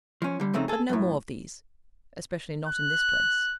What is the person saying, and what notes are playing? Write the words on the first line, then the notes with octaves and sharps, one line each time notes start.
But no more of these; especially not in this place.
F3 C#4
D3 G3
F2 C#3 A3 C4 D#4
G#4 A4
F#2 A2
F#6